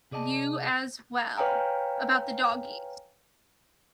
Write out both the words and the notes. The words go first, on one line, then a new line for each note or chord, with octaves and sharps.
You as well, about the doggies.
C3 G#4 D5 D#5 A5
B4 C#5 F5 G5 G#5 A#5